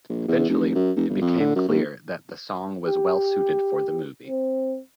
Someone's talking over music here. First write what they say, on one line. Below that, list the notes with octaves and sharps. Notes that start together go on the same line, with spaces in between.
Eventually, it became clear that the song was well suited for the movie.
A#1
E2
F1
F#2
F1
G1
F2
D3
F#2
D#2
G4
C4